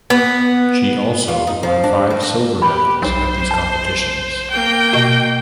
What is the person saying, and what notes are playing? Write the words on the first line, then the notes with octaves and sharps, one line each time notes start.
She also won five silver medals at these competitions.
B3
F4
D#4
F3
D4
D#3
D4
G4 B4 B5
B1 C5
A5
A#3 G5
B2